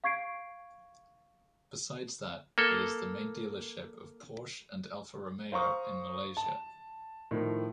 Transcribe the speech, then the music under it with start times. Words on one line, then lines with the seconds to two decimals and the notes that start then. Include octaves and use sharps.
Besides that, it is the main dealership of Porsche and Alfa Romeo in Malaysia.
0.04 F5 C#6 G#6 C7 D7
2.58 A#3 A4
5.52 C5 F5 A#5 C#6 D#6
6.37 A5
7.31 A2 D#3 F3